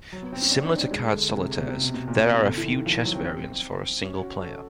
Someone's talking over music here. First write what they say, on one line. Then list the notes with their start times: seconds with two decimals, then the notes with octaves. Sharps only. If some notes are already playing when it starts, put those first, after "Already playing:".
Similar to card solitaires, there are a few chess variants for a single player.
0.12 F#3
0.23 B3
0.33 C4
0.42 C#4
0.51 D4
0.64 D#4
0.77 D4
0.91 G#3
1.10 D3
1.30 C3
1.56 B2
1.69 C3
1.82 B2
1.94 B2
2.07 A#2
2.21 B2
2.34 C3
2.47 D3
2.57 E3
2.66 D#3
2.86 F3
2.95 E3
3.05 F#3
3.14 C4
4.02 C#4
4.22 F#4
4.41 A4